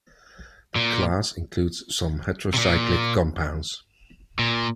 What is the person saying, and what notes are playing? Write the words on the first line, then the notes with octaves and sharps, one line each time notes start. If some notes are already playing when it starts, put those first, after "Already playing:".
The class includes some heterocyclic compounds.
A#2
C3
A#2
A#2